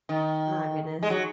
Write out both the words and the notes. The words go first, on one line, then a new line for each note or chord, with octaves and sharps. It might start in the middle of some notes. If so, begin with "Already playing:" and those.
My goodness.
D#3
G#3
F#3